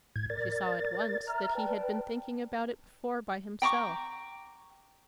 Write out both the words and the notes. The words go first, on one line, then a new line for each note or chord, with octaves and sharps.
She saw at once that he had been thinking about it before by himself.
A2 G#6
A#4 D5 A6
E5 A#5 F6
B4 D5 G5 A5
G5 A#5 C#6 D6